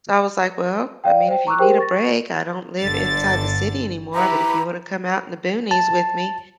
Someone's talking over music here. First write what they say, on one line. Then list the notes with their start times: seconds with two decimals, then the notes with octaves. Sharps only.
So, I was, like, well, I mean, if you need a break, I don't live inside the city anymore, but if you wanna come out in the boonies with me,
1.04 D5 F5 G5
1.28 C5 G5
1.47 A#5 C#6 D6 E6 F#6
1.59 G4 G#4 A#4 C5 G5
1.78 C#6 A6 A#6
2.81 G1 D3 A6
4.15 E4 G4 B4 A#5
5.71 A5